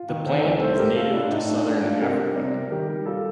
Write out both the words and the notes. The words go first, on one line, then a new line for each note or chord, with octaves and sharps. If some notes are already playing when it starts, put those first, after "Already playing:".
The plant is native to southern Africa.
Already playing: F4
D#3
D#3 A4 C5
C2
A3 A4 C5
A3 G4 A#4
A3 F4 A4
A2 D4 F4
A2 D#4
A3 D4
A3 D4
A3 D4 F4
C3 G4 A#4
G3
C3 A#4 D5
G3
D#3 G4 A#4
G3
G3 F4 A4